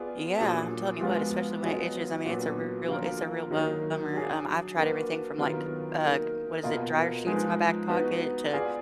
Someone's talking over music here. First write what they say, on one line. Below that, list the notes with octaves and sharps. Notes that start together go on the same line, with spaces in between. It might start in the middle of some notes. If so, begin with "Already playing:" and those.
Yeah, I'm telling you what, especially when it itches, I mean, it's a real it's a real bummer. Um, I've tried everything from like, uh, what is it, dryer sheets in my back pocket to a
Already playing: B3 F4 G#4 D5
A#2 F#3 D4 G#4
F3 G#3 B3 F4
F#3 B3 F4 G#4 D#5
A#2 F#3 B3 D4 F#4
D3 F3 A#3 F4 A#4
D#3 F#3 A#3 D#4
F#3 D4 G#4
A#3 D4 F#4 B4
D#3 F#3 B3 F4 A#4
A#3 D#4 A#4
B2 A#3 F4 A#4 D#5
F3 G#3 D#4 G#4 B4
B3 D#4 F#4 B4
B3 F4 G#4 D5